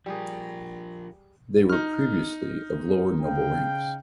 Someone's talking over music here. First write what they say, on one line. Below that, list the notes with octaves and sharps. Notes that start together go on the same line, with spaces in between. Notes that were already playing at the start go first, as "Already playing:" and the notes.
They were previously of lower noble ranks.
F3 G3 G4 G#4 A#4
D#4 F6
C#3 F5 G5